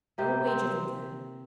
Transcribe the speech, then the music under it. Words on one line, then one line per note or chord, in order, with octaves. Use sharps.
"I will wager them, then."
C3 A#3 G4
C4